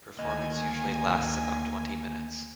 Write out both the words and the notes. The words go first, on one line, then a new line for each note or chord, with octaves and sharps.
Performance usually lasts about twenty minutes.
D2 D#3 A#3 D#5 G#5